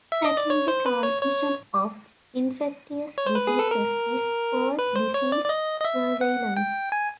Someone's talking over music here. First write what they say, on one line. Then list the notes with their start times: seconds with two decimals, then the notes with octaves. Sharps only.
Tracking the transmission of infectious diseases is called disease surveillance.
0.12 E5
0.25 D#5
0.37 D5
0.50 C#5
0.68 C5
0.86 B4
1.03 C#5
1.22 C#5
3.18 C#5
3.27 C5
3.35 B4
3.47 G#4
3.59 A4
3.71 A#4
4.79 B4
4.96 C5
5.14 C#5
5.32 D5
5.45 D5
5.49 D#5
5.80 D#5
5.85 E5
6.21 F#5
6.57 G5
6.92 G#5